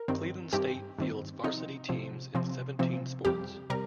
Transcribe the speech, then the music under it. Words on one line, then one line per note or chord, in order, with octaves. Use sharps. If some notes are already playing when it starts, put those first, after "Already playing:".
Cleveland State fields varsity teams in seventeen sports.
Already playing: A#4
G2 D#3 C4
G2 D#3 C4 G4
G2 D#3 C4
C3 F3 C4 D#4
C3 F3 C4
C3 F3 C4
C3 F3 C4
F2 C3 G3 G4
C3 G3 A#4